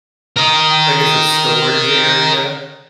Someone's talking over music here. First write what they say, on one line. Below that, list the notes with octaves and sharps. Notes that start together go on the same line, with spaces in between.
Like, it's a storage area.
A#4 D#5